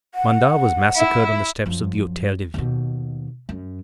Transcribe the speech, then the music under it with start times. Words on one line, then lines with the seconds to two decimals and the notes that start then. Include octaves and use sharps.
Mandat was massacred on the steps of the Hotel-de-Ville.
0.15 F#5
0.96 E4
1.66 F#2 F3
2.54 D#2 B2
3.49 F#2